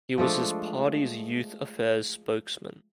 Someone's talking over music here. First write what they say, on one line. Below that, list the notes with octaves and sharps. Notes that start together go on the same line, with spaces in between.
He was his party's youth affairs spokesman.
F3 G#3 A3 D4